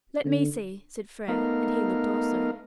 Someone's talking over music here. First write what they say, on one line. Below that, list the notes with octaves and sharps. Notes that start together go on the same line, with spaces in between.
"Let me see," said Frere; and he looked also.
D3
A3 B3 D#4 A#4 F5